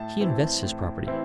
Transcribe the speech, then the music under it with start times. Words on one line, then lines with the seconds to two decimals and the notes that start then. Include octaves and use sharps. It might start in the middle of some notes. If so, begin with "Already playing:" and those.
He invests his property.
Already playing: A2 E5 A5
0.20 E3 C4 E4
0.63 A2
1.07 E3 C4 E4